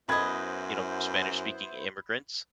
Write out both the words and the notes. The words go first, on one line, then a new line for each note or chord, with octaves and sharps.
you know, Spanish-speaking immigrants,
F#2 B3 E4 B4 C5 D#5 B5 G#6